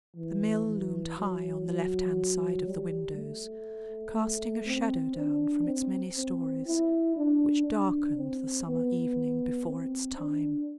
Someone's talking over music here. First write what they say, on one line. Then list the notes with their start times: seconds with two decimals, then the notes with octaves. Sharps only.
The mill loomed high on the left-hand side of the windows, casting a shadow down from its many stories, which darkened the summer evening before its time.
0.16 E3
0.66 E3
1.17 F#3
1.66 F#3
2.66 G3
3.16 A3
4.17 A3
4.66 C4
5.16 D4
5.66 C4
6.16 C4
6.66 E4
7.16 D4
7.66 D4
8.17 C4
8.66 B3
9.67 C4
10.17 D4